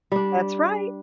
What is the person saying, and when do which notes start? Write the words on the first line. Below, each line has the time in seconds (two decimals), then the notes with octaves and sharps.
That's right.
0.12 G3 D4